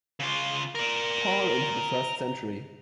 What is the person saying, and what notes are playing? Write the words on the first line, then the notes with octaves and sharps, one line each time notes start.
Paul into the first century.
C#3 F4
A#4 D5